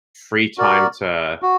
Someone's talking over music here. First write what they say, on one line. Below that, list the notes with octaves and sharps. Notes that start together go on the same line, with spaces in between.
free time to
F#4 A#4 D5
F#4